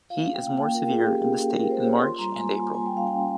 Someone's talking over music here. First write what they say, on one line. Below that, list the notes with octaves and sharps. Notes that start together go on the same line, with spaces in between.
Heat is more severe in the state in March and April.
F4 F5
C#4
G5
A#3
A#3 G5
F4 A#4
F4 G#4
C#4 G4
F4
F4
F4 A#4
C#4 C5
A#3 C#5
F4 C6
G3 A#5
A#3 G#5
F4 G#5
A#3
G#5
G3 G5
C#4 F5
G5
C#4